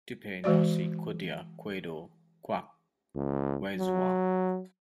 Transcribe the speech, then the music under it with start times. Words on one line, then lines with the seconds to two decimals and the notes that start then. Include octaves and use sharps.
Tipei nhasi kudya kwedu kwakwezuva.
0.44 E3 G#3 F#4 D5
3.16 C#2
3.78 F#3